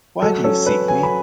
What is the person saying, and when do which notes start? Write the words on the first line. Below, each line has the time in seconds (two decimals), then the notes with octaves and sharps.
Why do you seek me?
0.22 F#3 A4
0.44 C#4 A4
0.66 C#4 B4
0.88 F#3 G#5
1.03 B5